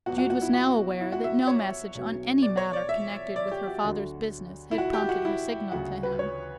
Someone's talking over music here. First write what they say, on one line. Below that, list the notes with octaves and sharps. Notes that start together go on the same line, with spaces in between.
Jude was now aware that no message on any matter connected with her father's business had prompted her signal to him.
E2 B2 F#3 F#4
F#4
F#4
E4
F#4
E4
F#4
E5
C#5
B1 B2 F#3
D5
C#5
D5
E5
D5
G4
F#4
D2 D3 F#3
E4
F#4
G4
F#4
E4
D2 C#3 F#3 F#4
B4
C#5